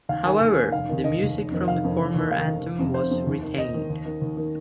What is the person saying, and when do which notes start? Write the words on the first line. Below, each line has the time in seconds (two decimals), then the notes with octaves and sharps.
However, the music from the former anthem was retained.
0.09 D#2 F5
0.25 D#3 G#5
0.41 D#2
0.57 D#3
0.72 F1 F5
0.89 D#2 D#3
1.04 F1 D#5
1.20 D#2 D#3
1.36 F1
1.52 F2 D#3
1.68 F1 F5
1.83 F2 D#3
1.99 F1
2.15 D#2 D#3
2.31 F1 F5
2.47 D#2 D#3
2.63 F1
2.79 F2 C3
2.94 F1 C5
3.10 F2 C3
3.27 D#2
3.42 D#3
3.58 D#2 D#5
3.74 D#3
3.90 D#2
4.05 D#3
4.22 D#2
4.37 D#3